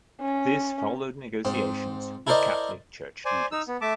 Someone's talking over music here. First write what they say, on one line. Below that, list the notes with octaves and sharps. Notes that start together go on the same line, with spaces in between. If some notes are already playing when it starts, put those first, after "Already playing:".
This followed negotiations with Catholic church leaders.
C#4
G#2 C4
E4 A4 A#4 C5 D5 D#5
C5 D5 G#5
D#4 E6
B3
A3 E5 A5 D6